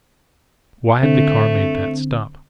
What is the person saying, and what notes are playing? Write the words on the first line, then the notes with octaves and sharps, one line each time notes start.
Why had the car made that stop?
D3 A3 C4